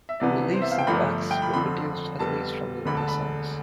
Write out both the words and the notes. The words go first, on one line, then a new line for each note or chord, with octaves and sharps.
Reliefs in wax were produced at least from the Renaissance.
E5
C2 C3 E3 B3 D5
C5
E5
F5
G5
G1 G2 F3 A3 B5
G5
B5
F2 D3 F3 C4 B5
F2 D3 G3 B3 A5
E1 D2 D3 B5
A5
B5